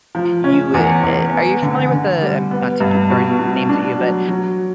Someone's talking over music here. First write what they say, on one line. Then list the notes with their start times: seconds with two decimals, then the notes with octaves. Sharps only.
you, eh eh, are you familiar with the, um, not to keep throwing names at you, but
0.15 F3
0.44 C#4
0.74 E2
1.03 E2
1.32 B3
1.62 D3
1.92 D3
2.22 G3
2.51 B3
2.80 G2
3.10 B2
3.39 B2
3.69 D4
3.99 F#3
4.28 F#3